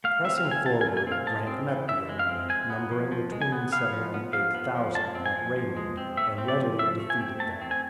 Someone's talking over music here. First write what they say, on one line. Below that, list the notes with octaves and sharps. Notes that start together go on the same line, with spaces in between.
Pressing forward, Grant met the enemy, numbering between seven and eight thousand, at Raymond, and readily defeated them.
A3 F5
C4 E5
F5
E3
G#5
E3 A5
G#5
A3
G#5
C4 F5
G#3 A5
C4
E3
E3 E5
G#3
F5
C4
G#3 G#5
B3
F3
F3
G#3
G#5
B3
B3 F5
F3
B3
F3 F5
B3
F3
G#3 A5
C4
G#5
F3
F3
G#3
C4
A3 E5
C4
D5
F3
F3 E5
A3
G#5
C4
A3 A5
C4
G#5